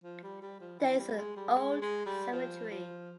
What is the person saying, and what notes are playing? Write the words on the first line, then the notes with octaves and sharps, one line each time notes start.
There is an old cemetery.
F3
G3
G3
F3
E3
G3
G#3
G3
G#3
G#3
G3
F3
F3